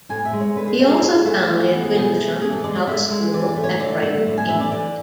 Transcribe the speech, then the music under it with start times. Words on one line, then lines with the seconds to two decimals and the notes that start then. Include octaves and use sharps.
He also founded Windlesham House School at Brighton, England.
0.09 A2 G#5
0.25 E5
0.33 G#3
0.40 C#5
0.56 D3 B4
0.67 G#4
0.79 G#3 F#4
0.90 G#4
1.02 D3 G#4
1.25 A3
1.48 E3 A4
1.61 F#4
1.71 B3 F#4
1.83 G#4
1.91 A4
1.95 B2 G#4
2.18 A3
2.41 E3 G#4
2.53 A4
2.64 G#3 D5
2.76 D5
2.87 D3 E5
3.10 G#3
3.33 E3 D5
3.48 D5
3.56 A3
3.64 C#5
3.80 D3 D5
4.03 A3
4.26 A2
4.38 G#5
4.49 E3 E5
4.60 D5
4.72 D3 D5